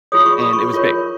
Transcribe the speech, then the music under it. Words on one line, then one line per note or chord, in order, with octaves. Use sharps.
and it was big.
F4 G#4 C#5 D#6
C#6
B5
C#6
F4 A#4 C#5